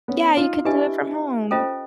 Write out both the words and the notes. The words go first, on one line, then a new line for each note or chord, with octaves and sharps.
Yeah, you could do it from home.
B3 C#4
D#4 F4
D4 E4 G4 B4 D#5 G#5
C#4 F4 A4 C5 D#5